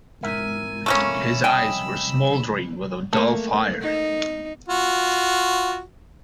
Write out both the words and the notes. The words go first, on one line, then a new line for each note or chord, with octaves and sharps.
His eyes were smouldering with a dull fire.
G#2 A#4 E5 G#5
A3 A#3 C#4 B5 E6
C2 D#5 G5 G#5
A3 A#3
D#4
F4 F#4